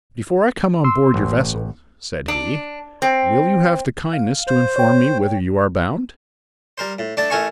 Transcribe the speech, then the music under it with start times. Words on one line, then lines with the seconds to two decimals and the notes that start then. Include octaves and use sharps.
"Before I come on board your vessel," said he, "will you have the kindness to inform me whither you are bound?"
0.84 C6 E6
1.14 A1
2.28 D4
3.02 C4
4.13 F5
4.47 C5
4.76 C#5 G5
6.78 G3 A#4 C5
6.99 A2
7.17 A3 D4 D5 A5
7.30 A1 A3 A4 A#4 G#5 C#6